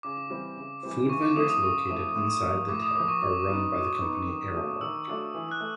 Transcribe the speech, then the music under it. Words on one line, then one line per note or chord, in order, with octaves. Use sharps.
Food vendors located inside the Ted are run by the company Aramark.
C#3 D6
E3 G3 C4
C#3
E3 G3 C4
C#3 C#6
D6
F3 A3 C4 E4 D#6
D#6
C#3 C#6
F3 A3 C4 E4
A2
F3 A#3
A2 D6
D#6
F3 A#3 D6
C#6
F#3 D6
B3 D#4
F#3
B3 D#4
D#3
F#3 A3 D4 F4
D#3 E6
F#3 A3 D4 F4
E3
F#6
A3